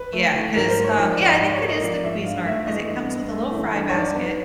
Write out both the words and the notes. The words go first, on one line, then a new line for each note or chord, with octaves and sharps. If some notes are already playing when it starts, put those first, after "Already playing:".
Yeah, 'cause, um, yeah, I think it is the Cuisinart 'cause it comes with a little fry basket
Already playing: B4
A3
E3
G#2 A#4
C5
A#3
C#5
F3 D#5
D5
G#2
D#5
G#2 D5
C#5
A#3
D#5
F3 D5
G#2 E5
G2 F5
A3 E5
E3 D#5
G2
G2
A3
E3
G2
C#5
D#4 D5
B3